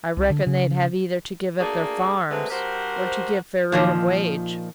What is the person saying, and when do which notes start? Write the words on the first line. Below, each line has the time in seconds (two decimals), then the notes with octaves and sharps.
'I reckon they'd have either to give up their farms, or to give fair rate of wage.'
0.17 C2
0.30 D3
0.47 C#3
1.60 A3 A#3 D4 F#4 G#4
2.31 D3 F#3 G#3 A3 C4 B4
2.50 G2 F#4 G4 A#4 C5
3.72 A#2 D#3 F3